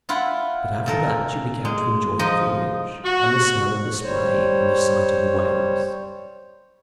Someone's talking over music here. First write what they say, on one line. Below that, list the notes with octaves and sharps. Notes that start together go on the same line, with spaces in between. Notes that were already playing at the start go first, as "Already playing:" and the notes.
But after that she began to enjoy the voyage and the smell of the spray and the sight of the waves.
E4 F4 F#5 B5
A#2 A4 A#4
G#3
F3 D#4 D#5
F#4
G3 C5 C#5